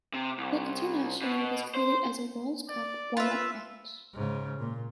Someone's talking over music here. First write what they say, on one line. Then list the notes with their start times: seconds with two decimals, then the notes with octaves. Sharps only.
The International was created as a World Cup warm-up match.
0.13 C3
0.38 C2
1.22 B2
1.75 C5
2.69 D5
3.17 F4 B4 E5
4.13 G#2 C#3
4.59 A#2